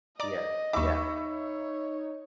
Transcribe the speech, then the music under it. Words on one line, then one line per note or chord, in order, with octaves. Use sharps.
Yeah. Yeah.
D5 D#5 A#5 D6
D#2 D#4 E5 B5 C#6 D6
C#5